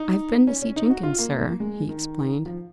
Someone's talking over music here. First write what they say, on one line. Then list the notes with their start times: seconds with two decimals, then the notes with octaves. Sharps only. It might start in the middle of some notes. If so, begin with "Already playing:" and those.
"I have been to see Jenkins, sir," he explained.
Already playing: D#4
0.47 C#4
0.62 C#4
0.76 D#4
0.90 F#4
1.03 F4
1.19 A#3
1.32 A#3
1.60 G#3
1.89 D#3
2.46 F3